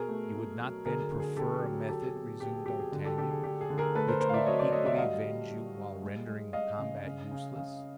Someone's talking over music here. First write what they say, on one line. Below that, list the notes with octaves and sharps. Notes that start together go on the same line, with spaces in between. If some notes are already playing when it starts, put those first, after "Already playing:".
"You would not, then, prefer a method," resumed d'Artagnan, "which would equally avenge you while rendering the combat useless?"
Already playing: B2 G#4 A#4
A3
A3
F#3
D3 G#4 A#4
D3
G#4
D3 G4 A4
G4
F#3
G#4
F#3 G4 A4
G#4
B2
B2 G4
G#4
F#3 G4
G#4
D3
G4 A4
D3 G4 A4
G#4
D3 G4
G#4
D3
G#4 A#4
A3 A4 B4
A#4 C5
A3 A#4 C5
F5
D5 E5
F#3 C#5 D#5
C5 D5
A3 C#5 D#5
D5 E5
F#5
G3 D#5 F5
G3
G3
G3
G#3
G#3
G#3 D#5 F5
C#3
C#3
C#3
C#3